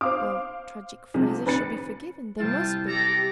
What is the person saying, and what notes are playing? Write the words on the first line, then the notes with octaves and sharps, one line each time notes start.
Well ... tragic phrases should be forgiven, they must be.
C5 F5 D6
C2 C3 F3
D#2 B4 B5 A6 C#7
C3 G3 E4 F4 G5 A5
G4 A4 D5 A#5